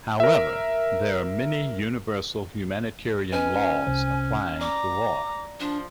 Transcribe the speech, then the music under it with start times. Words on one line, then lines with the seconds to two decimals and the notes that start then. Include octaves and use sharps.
However, there are many universal humanitarian laws applying to war.
0.20 A#4 E5
3.33 C#4 B4 D#5 G#5
3.87 C2 C3 C5
4.61 D5 A#5 D6
5.60 F3 D4